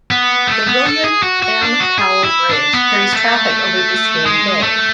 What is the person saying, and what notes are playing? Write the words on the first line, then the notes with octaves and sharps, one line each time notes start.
The William M. Powell Bridge carries traffic over Biscayne Bay.
B3
A3
B3
A4
G#4
F#4
F#4
D4
F#4
G#4
E4
D4
B3
A3
G#3
A3